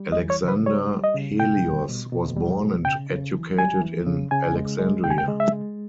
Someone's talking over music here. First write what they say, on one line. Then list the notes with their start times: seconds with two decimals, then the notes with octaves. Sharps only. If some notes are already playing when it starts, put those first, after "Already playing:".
Alexander Helios was born and educated in Alexandria.
Already playing: G3
0.12 D#5
0.18 E3
0.30 C#5
0.42 C#3
0.48 B4
0.66 G3 C#5
0.91 G3
1.04 D#5
1.15 C#3
1.40 B2 G5
1.64 G3
1.88 B2
2.13 B2
2.37 G3
2.60 B2
2.85 C#3 G5
3.10 C#3
3.34 E3
3.58 G3 G#5
3.82 E3
4.06 C#3
4.31 C#3 G#5
4.55 G#3
4.79 G#3
5.04 C#3 G5
5.11 G#5
5.18 G5
5.28 G#3
5.40 E5
5.52 G#3